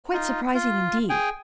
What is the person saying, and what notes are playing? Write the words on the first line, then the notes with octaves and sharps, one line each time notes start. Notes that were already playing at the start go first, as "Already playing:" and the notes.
Quite surprising indeed!
D#4 F4
F4
G#4 G5 G#5